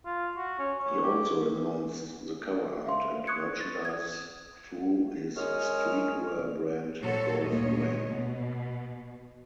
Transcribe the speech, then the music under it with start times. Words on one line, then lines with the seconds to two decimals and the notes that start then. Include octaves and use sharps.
He also announced the cover art and merchandise through his streetwear brand Golf Wang.
0.05 F4
0.37 F#4
0.59 C#4
0.78 C#5
1.03 G4
2.86 E5 F5 C6
3.27 C#6 D#6 F#6 G#6 C#7
3.61 A6
3.85 D#6 G#6
5.37 F#2 G#3 F#4 G#5 D#6 F6
7.02 A#2 F#3 F#4 A4 C5 C#5
7.44 D2 G2 A#2 A#3 C#5 D#5
8.09 B2